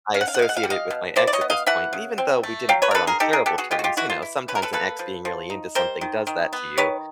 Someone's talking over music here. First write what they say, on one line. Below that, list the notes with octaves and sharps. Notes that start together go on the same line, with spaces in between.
I associate it with my ex at this point. And even though we didn't part on terrible terms, you know, sometimes an ex being really into something does that to you.
C#4 F5
F#5
F5
F#5
G#3 F5
F#5
F5
G3 F#5
D#5 F5
B2
E4 C5 D5
D5
C#5 D#5
B3
D#5 F5
E3 E5 F#5
C#3
C4
A3
F#3 F5 G5
B4 C#5
A#4
D3 A4 B4
G#4 A#4
D#4 G4 A4
G#4 A#4
B3 G4 A4
F#4 G#4
G#3 F4 G4
F#4
F4 G4
E3 E4 F#4
F4
E4
C#4 B4
A#4
A4 B4
A#3 A4 B4
F3
F3
D#4
G3 A#4 C5
D#3
D#3
B3
D#3 B4 C#5